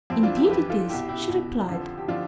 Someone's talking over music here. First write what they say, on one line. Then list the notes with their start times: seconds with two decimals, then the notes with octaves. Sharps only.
"Indeed it is," she replied.
0.10 F2 E3 C4 E4
0.23 D4 F4
0.36 E4 G4
0.50 F2 E3 G4 B4
0.70 F4 A4
0.89 C2 B2 E4 G4
1.09 E4 G4
1.29 C2 B2
1.69 F2 D3 F3
1.97 G4
2.08 D3 F3 D4 F4